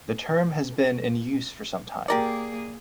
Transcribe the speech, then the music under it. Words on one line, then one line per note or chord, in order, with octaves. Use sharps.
The term has been in use for some time.
A#3 G4 G#4 A#4 D5